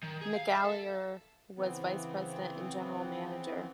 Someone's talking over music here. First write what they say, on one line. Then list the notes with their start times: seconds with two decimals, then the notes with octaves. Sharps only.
McAleer was vice president and general manager.
0.03 D#3
0.21 G#4
0.35 F5
0.49 E5
0.64 A4
1.57 C#3 E3 B3 C4